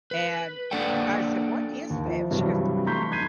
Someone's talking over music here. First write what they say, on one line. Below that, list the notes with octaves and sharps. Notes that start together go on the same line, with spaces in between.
and I I said, "What is that?" and she goes,
B4
A#3 D4 A4 D5 F#5 G5
D#2
F3 E4
G2 C3 E3 F#3 G3
A3 A#5 C6 C#6 G6 B6
B5 G6 G#6 B6 C7 D#7